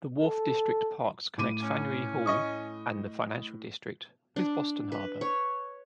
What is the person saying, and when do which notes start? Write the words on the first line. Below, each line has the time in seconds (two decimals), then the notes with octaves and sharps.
The Wharf District Parks connect Faneuil Hall and the Financial District with Boston Harbor.
0.22 A4
1.38 A2 D6 D#7
1.62 C#4
2.26 D#5 C#6 D#6
4.36 D4
4.92 B4
5.21 C#5